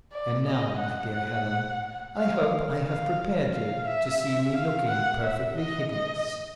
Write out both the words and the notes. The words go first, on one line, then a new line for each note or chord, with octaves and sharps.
And now, my dear Helen, I hope I have prepared you to see me looking perfectly hideous.
D5
D#5
F#5
F5
F5
F5
E5
E5
F5
F#5
E5
D#5
D#5